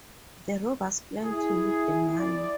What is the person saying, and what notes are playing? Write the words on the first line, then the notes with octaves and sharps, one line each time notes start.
The robbers plan to loot the money.
E4 G#4
D5